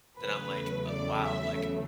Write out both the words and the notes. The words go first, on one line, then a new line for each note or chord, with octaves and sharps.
that I'm, like, uh, wow, like,
E2 C#3 F#3 A3 B4
D5
E5